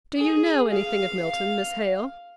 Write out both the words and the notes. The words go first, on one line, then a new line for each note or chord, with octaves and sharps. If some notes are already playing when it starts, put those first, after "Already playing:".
'Do you know anything of Milton, Miss Hale?
G#4
F5